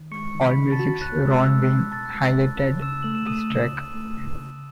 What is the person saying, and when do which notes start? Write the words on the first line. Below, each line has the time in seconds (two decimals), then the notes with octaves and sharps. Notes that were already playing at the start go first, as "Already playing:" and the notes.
Allmusic's Ron Wynn highlighted this track.
Already playing: D#3
0.11 G#3 C#6 C#7
0.35 D#3
0.42 B5 B6
0.58 D#3
0.72 A5 A6
0.79 F#4
1.01 C#2 F#6
1.25 G#3
1.32 E6
1.47 G#3
1.62 F#6
1.69 B2
1.91 B2 A5 A6
2.14 G#3
2.36 C#2
2.60 C#2
2.81 C#3 E6 E7
3.03 A3 F#7
3.15 E7
3.27 A3 D#6 D#7
3.50 C#3
3.72 C#2
3.94 A3
4.17 C#3
4.39 C#3